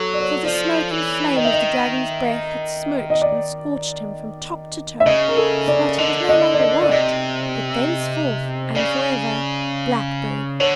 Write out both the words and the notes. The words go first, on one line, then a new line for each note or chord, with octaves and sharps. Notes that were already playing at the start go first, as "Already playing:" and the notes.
For the smoke and flame of the dragon's breath had smirched and scorched him from top to toe, so that he was no longer white, but thenceforth and forever Blackbird.
Already playing: F#3 A4
D5
C#5
F3 D5
E3
D#3 D#5
E5
D#5
D#5
D5
E5
C#3 D#5
A#4
A4
D5
D3 D#5
D#5
D5
D#5
D5
C3 D#5
C#3 D5
D3 C#5